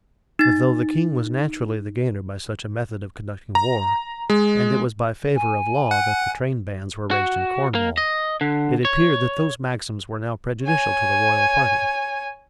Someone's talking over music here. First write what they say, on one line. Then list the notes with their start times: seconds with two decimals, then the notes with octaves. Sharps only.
But though the king was naturally the gainer by such a method of conducting war, and it was by favor of law that the train, bands were raised in Cornwall, it appeared that those maxims were now prejudicial to the royal party.
0.39 D#4 A6
3.55 A#5
4.30 G#3
5.35 G#5
5.91 F#5
7.11 F#4
7.75 A#3
7.98 D#5
8.41 D3
8.85 C#5
10.64 C#5 G#5